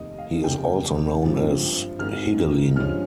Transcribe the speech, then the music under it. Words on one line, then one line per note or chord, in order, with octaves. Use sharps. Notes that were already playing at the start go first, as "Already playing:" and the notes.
He is also known as Higelin.
Already playing: F1 D#2 D#3 A#3 D#4 D#5
F5
F1 D#2 C#3 G5
G#1 G2 F3
G#1 G#2 D#3 F6
G2 F3 G#3 C#4 F6